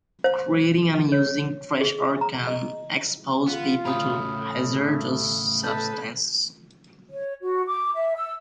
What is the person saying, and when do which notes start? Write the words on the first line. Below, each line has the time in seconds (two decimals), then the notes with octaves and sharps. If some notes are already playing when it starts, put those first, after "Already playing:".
Creating and using trash art can expose people to hazardous substances.
0.24 C5
1.12 C#5
1.80 G#4
2.21 A#5
2.47 D#5
3.48 B3 F4
3.85 A2 C#3 B5 D#6 F6
4.40 A3
5.64 A4 B4 G6
7.09 C#5
7.41 F#4
7.67 D6
7.94 E5
8.16 E6